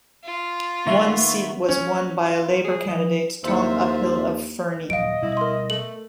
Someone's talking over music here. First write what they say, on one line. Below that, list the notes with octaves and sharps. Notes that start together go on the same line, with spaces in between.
One seat was won by a Labour candidate, Tom Uphill of Fernie.
F4
D#3 A#3 B3 E5 C#6
C#4
F4
G#4
F3 D#5
D#2 A#3 E4 F4 C5 E5
D#1 G2 F#3 D#5 F5 D7
B2 G3 B3 E4
A#4 C6
A3 F#7